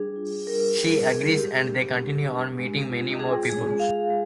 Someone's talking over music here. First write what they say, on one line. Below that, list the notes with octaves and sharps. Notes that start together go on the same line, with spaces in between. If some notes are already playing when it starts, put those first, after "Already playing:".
She agrees and they continue on, meeting many more people.
Already playing: G3 D4 G#4
F4
G3 A#4
G3 G#4
G3 G#4
G#3 G4
D4
D4
D4
G#3
F4
F4 G#4
G#3 G#4
G#3 F5
G#3